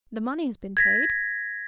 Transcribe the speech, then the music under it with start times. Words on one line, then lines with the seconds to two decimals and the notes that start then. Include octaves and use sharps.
The money has been paid.
0.77 G#6 A#6 B6